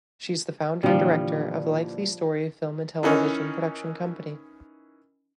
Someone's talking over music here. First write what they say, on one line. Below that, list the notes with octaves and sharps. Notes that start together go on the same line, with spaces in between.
She is the founder and director of "likely story" film and television production company.
A#2 D3 E3 F3 G3
D#3 E3 C#4 D#4